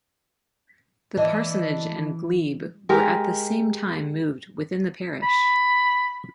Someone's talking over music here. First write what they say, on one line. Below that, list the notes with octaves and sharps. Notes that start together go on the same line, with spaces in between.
The parsonage and glebe were at the same time moved within the parish.
E3 D4 E4 D#5
G#3 G4 A#4
B5